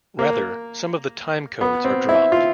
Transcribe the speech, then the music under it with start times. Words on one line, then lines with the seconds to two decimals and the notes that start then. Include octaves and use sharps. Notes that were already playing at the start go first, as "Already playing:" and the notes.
Rather, some of the "timecodes" are dropped.
0.19 A#3
1.61 B3
1.85 C4
2.09 E4
2.32 F4